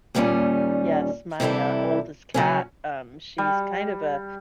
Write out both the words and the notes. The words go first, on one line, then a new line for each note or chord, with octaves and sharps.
Yes, my, uh, oldest cat, um, she's kind of a
D#2 A#2 G3 B3 C#4 D#4
C3 E3 G3 E4 A4
C#3 F#3 C#4
G3